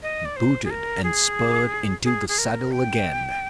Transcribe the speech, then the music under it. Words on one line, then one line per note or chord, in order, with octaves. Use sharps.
Booted and spurred, into the saddle again!
D#5
D5
C5
G#4
A#4
G#4
G#4
G#4
A#4
G5